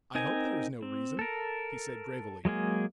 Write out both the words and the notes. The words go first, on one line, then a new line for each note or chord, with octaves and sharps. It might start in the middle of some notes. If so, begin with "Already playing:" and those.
"I hope there is no reason," he said gravely.
C4 D#4 A#4 G#5
C4
A4 A#4
F#3 G#3 A#3 G#4